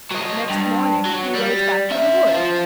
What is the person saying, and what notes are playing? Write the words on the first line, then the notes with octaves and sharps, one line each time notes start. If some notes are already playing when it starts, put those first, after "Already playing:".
Next morning he rode back to the wood.
F#3 D#5
G2
F#3
G3
C#4 E5
F4 C5